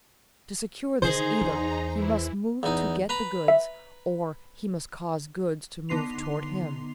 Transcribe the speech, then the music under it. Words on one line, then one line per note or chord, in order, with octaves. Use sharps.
To secure this either he must move to get the goods, or he must cause goods to move toward him.
D3 D#3 D#4 G#4 C5 A#5
E2
E3 E4
E2 D#4
B4 A#5 B5
E5
D3 B3 D#4 C6 C7 F7